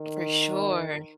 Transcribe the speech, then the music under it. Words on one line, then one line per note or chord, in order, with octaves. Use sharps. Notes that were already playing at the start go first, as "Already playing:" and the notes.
For sure.
Already playing: D#3